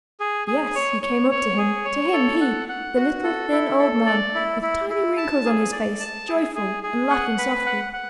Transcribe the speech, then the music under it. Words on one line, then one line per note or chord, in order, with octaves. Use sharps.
Yes, he came up to him, to him, he, the little, thin old man, with tiny wrinkles on his face, joyful and laughing softly.
G#4
G#4
C#5
C#5
C#5
G#4
C#5
A4
F#5
F#5
F#4
A4
E4
A4
D5
E4
E4
E4
A5
G#4
D5
A5
G#4
G#4
G#4
F#5
B4
F#5
F#5